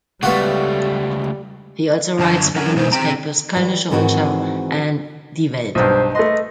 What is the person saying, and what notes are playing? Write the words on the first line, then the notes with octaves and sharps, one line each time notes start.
He also writes for the newspapers Kölnische Rundschau and Die Welt.
C#2 G3 A3 B3 F4 F#4
F#2 D3 A5
D3 F#3 C#4 A#4 F#5
B2 G#3 D#4 C5
C4 G5 A#5
E3 G3
G#2 D#3 E3 C4 F#4 G#4
B1 G2 C5
A3 B4 D#5 C6